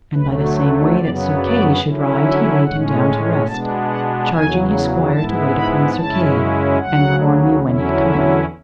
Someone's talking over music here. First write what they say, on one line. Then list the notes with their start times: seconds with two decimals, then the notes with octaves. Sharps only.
And by the same way that Sir Kay should ride he laid him down to rest, charging his squire to wait upon Sir Kay; And warn me when he cometh.
0.14 D2 D3 F#3 A3 B4
0.56 B4
0.97 F#2 C#3 F#3 B3 D5
1.38 D5
1.81 D3 F#3 C#4 E4
2.22 E5
2.64 A2 G#3 C#4 F#5
3.47 B2 G#3 B3 D4 A5
3.88 F#5
4.30 E2 C#3 F#3 G#5
5.12 G#2 G#3 B3 E4 A5
5.55 B5
5.96 F#2 C#3 G#3 C#4 E4 A5
6.79 D2 C#3 F#3 F#5
7.62 E2 D3 F#3 C#4 E4
8.04 E5